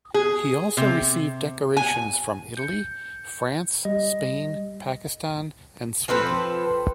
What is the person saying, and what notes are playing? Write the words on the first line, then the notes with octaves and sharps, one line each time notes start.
He also received decorations from Italy, France, Spain, Pakistan and Sweden.
G#4
C3
G#5
G6 C#7
G3 D#5
F3 C4 A4 B4